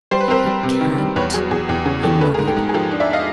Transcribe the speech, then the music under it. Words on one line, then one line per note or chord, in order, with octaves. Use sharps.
"I can't!" he muttered.
G3 C5
B4
C4 A#4 C5
G3
C3
D#3
G3
E2 B4 C#5
F#3 G#4
E2 G#4
E2 G4
C#3 G#4
E2 G4 A4
A3 A4 B4
G#4 A#4
G#2
G4 A4
G#2
G#4
F3 G4 A4
D4
D5 E5
D#5 F5